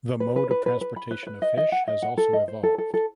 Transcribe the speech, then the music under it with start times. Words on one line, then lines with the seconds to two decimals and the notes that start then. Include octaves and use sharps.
The mode of transportation of fish has also evolved.
0.20 B4
0.36 B4
0.51 B4
0.66 B4
0.81 B4
0.96 B5
1.11 B4
1.27 B4
1.42 D#5
1.57 D#5
1.72 F#5
1.88 D#5
2.02 F#5
2.18 A4
2.33 D#5
2.48 C5
2.63 A4
2.78 A4
2.94 A4